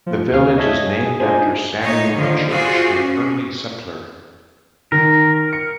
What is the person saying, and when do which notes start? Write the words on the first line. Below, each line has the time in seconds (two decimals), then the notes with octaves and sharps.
The village is named after Samuel Church, an early settler.
0.06 F3
0.31 D#2 C#4 F5
0.57 C#5 D#5 E5 A5 G#6
0.87 G#4
1.19 D4 D#4 F4 C5 G#5
1.83 A2 D#4 C#5
2.14 D3 D#3 F3
2.49 F4 F#4 G#4 C5 D5
2.96 C#4
4.92 D#3 A#4
5.53 C#7